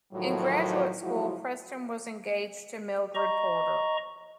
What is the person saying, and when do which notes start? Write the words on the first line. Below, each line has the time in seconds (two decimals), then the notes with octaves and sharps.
In graduate school, Preston was engaged to Mildred Porter.
0.12 A2 D#3 F3 F#3
1.02 F3 F#3 G#3 E4 F#4
3.15 D#5 A#5 C#6